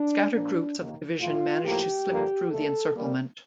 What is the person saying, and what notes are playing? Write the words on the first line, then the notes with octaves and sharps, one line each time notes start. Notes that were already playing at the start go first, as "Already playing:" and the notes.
Scattered groups of the division managed to slip through the encirclement.
Already playing: D4
A#2 F3 A#3 D4
D#2 D#3 A#3
A2 A3 F4
A2 F3 A#3 G4
G2 D3 F3 A#3
D#2 D3 A3 A4
D#2 D3 G3 A#3